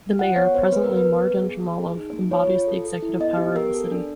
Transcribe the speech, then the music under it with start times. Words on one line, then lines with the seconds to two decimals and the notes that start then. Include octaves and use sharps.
The mayor, presently Mardan Jamalov, embodies the executive power of the city.
0.19 F4 F#5
0.36 B3 C#5
0.54 B3 C5
0.72 B3 B4
0.84 A#4
0.90 B3
0.97 B4
1.07 B3
1.25 B3
1.43 G#4
1.60 A#3
1.78 G#4
1.97 D#4
2.13 A#3
2.31 F4 C#5
2.50 F4
2.67 A4
2.85 A4
3.02 E4
3.20 B3 D#5
3.37 G4
3.55 B3 A#4
3.74 A4
3.91 D4